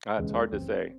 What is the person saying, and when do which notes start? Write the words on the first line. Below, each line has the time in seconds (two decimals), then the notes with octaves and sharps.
ah, it's hard to say
0.17 E1 D#2 C#3 E3 G#3
0.29 G#3
0.40 A3
0.52 F#1 F#2 E3 C4